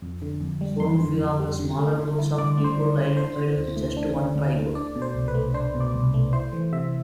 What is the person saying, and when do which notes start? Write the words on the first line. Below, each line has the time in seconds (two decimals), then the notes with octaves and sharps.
Soon few of the smaller groups of people identified with just one tribe.
0.02 F2
0.22 D3
0.41 F2
0.61 G3
0.80 F2 C6
1.01 D3
1.20 F2
1.39 G3
1.60 D3
1.79 A3
1.99 D3
2.18 E4
2.38 D3 D5
2.57 A3
2.64 C5
2.78 D3
2.98 E4
3.17 D4 C5
3.37 D3
3.56 D2
3.77 A3
3.97 D4
4.16 D3
4.36 D2
4.55 A3
4.75 D4 D5
4.95 B2
5.02 C5
5.15 C2
5.28 B4
5.34 A3
5.54 D4 C5
5.74 B2
5.80 D5
5.94 C2
6.14 A3
6.33 E4 C5
6.53 E3
6.73 C3 E5